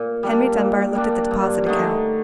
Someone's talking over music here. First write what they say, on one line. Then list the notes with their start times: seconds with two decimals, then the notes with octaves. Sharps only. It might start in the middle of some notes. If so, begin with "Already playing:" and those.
Henry Dunbar looked at the deposit account.
Already playing: A#2
0.23 G3 A#3 D4
0.59 A#2
0.95 G3 A#3 D4
1.31 G2
1.66 D3 A3 D#4